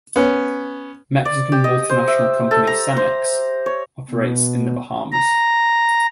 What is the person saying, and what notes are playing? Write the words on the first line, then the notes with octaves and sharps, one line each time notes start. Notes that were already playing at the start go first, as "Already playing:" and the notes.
Mexican multinational company Cemex operates in the Bahamas.
B3 C#4
D5
G4
D#5
C5
E5
A4
A#5
C5
C#5
B2
A#5